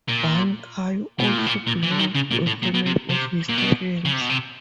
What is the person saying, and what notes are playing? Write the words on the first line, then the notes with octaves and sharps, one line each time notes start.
Ban Chao also belonged to a family of historians.
A#2
B2
A#2
A2
A#2
A#2
E3
D3
D#3
C#3
A#2
A2
A#2
B2
C3
C3
A#2
B2
C#3
C3
B2
C3